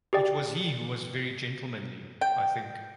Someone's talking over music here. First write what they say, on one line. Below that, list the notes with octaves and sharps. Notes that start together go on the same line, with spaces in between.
It was he who was very gentlemanly, I think!
G4 G#4 D5 G5
G5